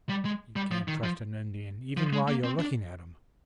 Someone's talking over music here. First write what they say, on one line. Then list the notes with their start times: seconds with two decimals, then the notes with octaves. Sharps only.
"You can't trust an Indian even while you are looking at him."
0.09 G3
0.25 G#3
0.56 G3
0.71 F3
0.88 D#3
1.03 F3
1.97 F3
2.13 G#3
2.28 A#3
2.44 C4
2.59 D4